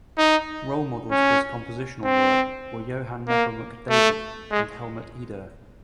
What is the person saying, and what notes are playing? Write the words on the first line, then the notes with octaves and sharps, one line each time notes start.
Role models for his compositional work were Johann Nepomuk David and Helmut Eder.
D#4
C#4
C4
A#3
A3
G#3